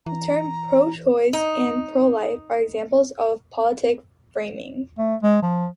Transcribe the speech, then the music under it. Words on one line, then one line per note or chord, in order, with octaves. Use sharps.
The terms "pro-choice" and "pro-life" are examples of political framing.
E3 A#5
D#4
A3
G#3
F3